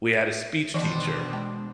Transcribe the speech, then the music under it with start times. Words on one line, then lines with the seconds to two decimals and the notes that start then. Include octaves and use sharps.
we had a speech teacher,
0.74 B2 D#3 E3 C4 D4 D#5
1.33 G#3 G5